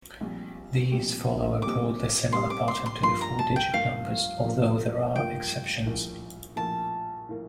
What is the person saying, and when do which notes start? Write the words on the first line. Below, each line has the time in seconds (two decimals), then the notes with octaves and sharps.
These follow a broadly similar pattern to the four-digit numbers, although there are exceptions.
0.21 A#1 A#2 G3 C4 G4
0.91 A#1 A#2 G3 C4 G4
1.62 A#1 A#2 G3 C4 G4 D6
2.32 A#1 A#2 G3 C4 G4 C6
2.50 D6
2.68 C6
2.86 C6
3.03 G2 F3 A#3 F4 C6
3.21 A#5
3.39 A5
3.56 G5
3.74 G2 F3 A#3 F4 F5
4.44 G2 F3 A#3 F4
5.15 G2 F3 A#3 F4 G5
5.86 A#1 A2 F3 A#3
6.56 A#1 A2 F3 A#3 A5
7.29 A2 F3 A#3